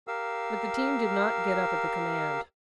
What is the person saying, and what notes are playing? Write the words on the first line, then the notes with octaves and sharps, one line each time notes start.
But the team did not get up at the command.
G4 A#4 F5 E6